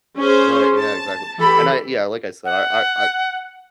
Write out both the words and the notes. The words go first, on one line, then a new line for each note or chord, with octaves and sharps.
G right. Yeah, exactly. And I yeah, like I said, I I I
C#4 G#4 C5
A5
E3 G4 A4 B5
F#5